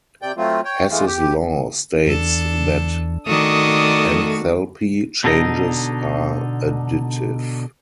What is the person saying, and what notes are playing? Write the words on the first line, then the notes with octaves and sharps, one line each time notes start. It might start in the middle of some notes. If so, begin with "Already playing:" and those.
Hess's law states that enthalpy changes are additive.
C3 D5 G5 G6
F#3 A3 C4 F4
C#5 G5
E3 G#3 A3 B3 F4
G4
E2 D4 A4
D#3 A3 F#4 A4 D5 D#5 D#6
B2 D3 D4 D#4 G#4 D#5